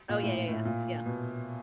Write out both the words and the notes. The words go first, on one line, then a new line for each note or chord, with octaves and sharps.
Oh, yeah, yeah, yeah. Yeah.
A#2
A2
A2
A#2
B2